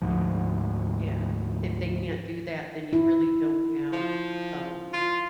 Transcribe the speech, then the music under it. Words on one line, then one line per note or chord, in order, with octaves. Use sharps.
Yeah. If they can't do that, then you really don't have, um,
D2 G#2 F3
E4
F3
F4